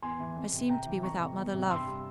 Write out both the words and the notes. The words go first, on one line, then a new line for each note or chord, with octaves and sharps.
I seemed to be without mother-love.
E2 G#5 C6
E3
F2
C3
C3 G5 A#5
E3
F2 A#5 C#6
C3
E2
C3
G2 C6 E6
G3